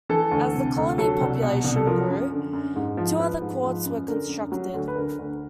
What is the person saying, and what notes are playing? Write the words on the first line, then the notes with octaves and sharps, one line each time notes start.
As the colony's population grew, two other courts were constructed.
E3 A4
D2
C3
D2
F#3 A4
C2
B2
C2
A4
F3 A#4
F#2
D3
F#2
G#2
F3
F3 B4
G#2
F3
F#2
D3 A#4
F#2
F#3
D2
B4
D3 A#4
D2